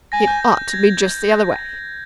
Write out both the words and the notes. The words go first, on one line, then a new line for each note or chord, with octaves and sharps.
It ought to be just the other way.
G#5 A#6
G6
G6
A#6
G#6